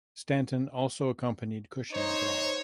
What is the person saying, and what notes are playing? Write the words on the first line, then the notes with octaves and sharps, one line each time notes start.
Stanton also accompanied Cushing abroad.
D#4 C5 C#5